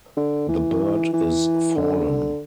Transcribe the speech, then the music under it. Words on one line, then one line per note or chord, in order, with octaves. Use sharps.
The Bird is Fallen.
D3
E3
E3
D3